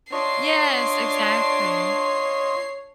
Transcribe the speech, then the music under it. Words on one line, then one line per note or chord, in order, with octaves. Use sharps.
Yes, exactly.
D4 F4 C#5 D#5 C6 C7